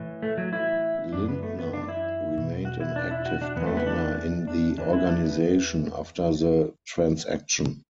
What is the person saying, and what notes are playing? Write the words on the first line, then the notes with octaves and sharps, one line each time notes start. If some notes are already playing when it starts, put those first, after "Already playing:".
Lindner remained an active partner in the organization after the transaction.
Already playing: A2 E3
A3
F#3
E4
F#2 E3 D4
B3
A3
B3
D4
E4
E2 B2
F#4
E4
D4
E4
F#4
D4
E2 E3 B3
A3
B3
D4
D4
E2 E3 D4
E4
D4
B3